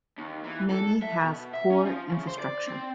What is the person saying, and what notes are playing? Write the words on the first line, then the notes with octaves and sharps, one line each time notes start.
Many have poor infrastructure.
D#2
E3
A4
E5
B2
E5
C#4
F3
C#3
C5
D5
C4